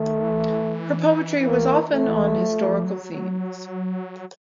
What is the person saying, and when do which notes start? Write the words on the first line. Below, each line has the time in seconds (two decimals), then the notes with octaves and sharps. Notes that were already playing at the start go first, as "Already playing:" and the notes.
Her poetry was often on historical themes.
Already playing: D#3 A3
0.24 E3
1.47 A#3
1.92 A3
2.38 F3
2.84 F#3